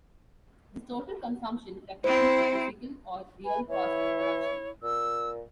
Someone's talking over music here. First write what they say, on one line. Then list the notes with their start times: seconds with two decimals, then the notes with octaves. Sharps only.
This total consumption represents the physical, or real, cost of production.
2.04 C4 E4 C5
3.45 B4 G#5
3.69 E3 E4 C#5
4.83 A#2 E6